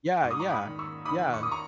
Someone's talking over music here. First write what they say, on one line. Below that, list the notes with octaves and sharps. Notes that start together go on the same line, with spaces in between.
yeah yeah yeah, e
G#2 C#6
D#6
A#5 C#6
B5 D#6
D#3
C#6 E6
D#3 B5 D#6
C#6
D#6
A#5 C#6